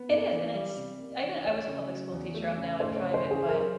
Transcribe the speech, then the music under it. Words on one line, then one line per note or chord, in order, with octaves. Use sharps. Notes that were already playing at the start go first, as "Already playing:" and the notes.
It is, and it's I've been I was a public school teacher, I'm now in private, but
Already playing: B3
A#3 D5
E3
G3
C3
A#3
E3
A3 C#5
C#3
F#3
E2
A3
C#3
A3 C5
C#5
C#3
C5
E3
G#4
F#2 A#4